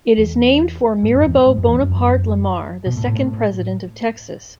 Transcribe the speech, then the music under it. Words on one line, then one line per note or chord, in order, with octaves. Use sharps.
It is named for Mirabeau Buonaparte Lamar, the second president of Texas.
E2
G#2
F#2
E2
G#2
F#2
E2
F#2
B2
A2
A2